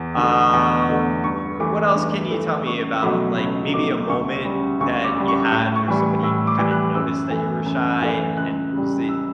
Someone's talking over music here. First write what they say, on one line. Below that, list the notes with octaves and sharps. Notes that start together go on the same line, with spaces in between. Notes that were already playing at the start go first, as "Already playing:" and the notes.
Um, w what else can you tell me about, like, maybe a moment that you had where somebody kinda noticed that you were shy, and and was it
Already playing: E2
D3
A3
E2
D3 A3
G2 C#6
E3 A3 D6
G2
E3 A3
C#2 C#6
B2 F#3 A3 B5
C#2 B5
B2 F#3 A3 D6
D2 C#6
C#3 G3
D2 C#6
D6
C#3 G3
C#6
A2
C#6
E3 G3
A2 E6
D6
E3 G3
F#6
F#2 E6
E3 A3
F#2
E3 A3
C#2 F#6
C#3 G3
E6